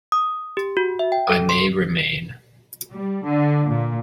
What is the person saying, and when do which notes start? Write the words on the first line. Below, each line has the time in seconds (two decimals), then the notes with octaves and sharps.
I may remain.
0.12 D#6
0.57 G4
0.77 F#4
0.99 E5
1.12 G5
1.29 A4
1.49 C6
2.91 G3
3.25 D3
3.70 A#2